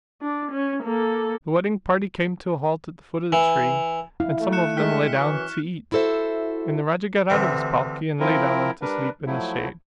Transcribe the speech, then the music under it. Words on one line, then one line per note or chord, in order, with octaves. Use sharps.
The wedding party came to a halt at the foot of the tree and some of them lay down to eat and the Raja got out of his palki and lay down to sleep in the shade.
D4
C#4
A#3 A4
E3
E4 F5
A3
F#6 C#7 E7
G#3 E5 G5 F6 B6
F#2 E3 C#6
E4 F#4 A4 C5 E5
D2 C3 E3
F3 C4 E4 A#4
G3 D4 A#4 B4
F3 F#3 A3 E4